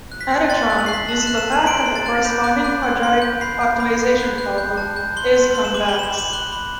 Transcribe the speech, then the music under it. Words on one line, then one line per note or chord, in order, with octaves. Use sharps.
AdaTron uses the fact that the corresponding quadratic optimization problem is convex.
F#6
B6
F#6
C6 A6
F#6
F#7
F#6 C7
B6
A5 F#7
E7
F#6
E7
A5 F#7
C6 D7
C6
A6
F#6
B5 G6
F#6
F#6
C6
C6
G6
B5 C7
G6
B5
F#6
F#6
F#6
G6
A5
G6
C6 G7
C6
C6
E7
D6 F#7
G7
B5
E7
F#7
D6 F#7
F#6 G7
B5